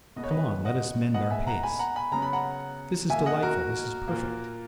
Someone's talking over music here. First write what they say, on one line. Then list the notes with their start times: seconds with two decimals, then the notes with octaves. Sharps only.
Come on, let us mend our pace.' This is delightful, this is perfect.
0.16 B2 G#3 B3 D#5
0.24 C#5
0.31 B4 D#5
0.65 D#5 F#5
1.14 B2 G#3 B3 D#5 F#5
1.30 E5 G#5
1.47 F#5 A#5
1.63 G#5 B5
1.79 F#5 A#5
1.96 G#5 B5
2.12 C#3 F#3 B3 A#5
2.22 B5
2.33 F#5 A#5
3.09 B2 A#3 E5 G#5
3.26 D#5 F#5
3.42 F#4 A#4
4.08 A#2 A#3